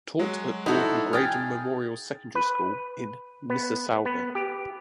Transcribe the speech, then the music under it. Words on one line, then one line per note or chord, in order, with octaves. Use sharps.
Taught at Gordon Graydon Memorial Secondary School in Mississauga.
F#3 G#3
D#4 E4 F#4 A4 C5
G#4 G5 F6 A6
B4
B3
B3
G4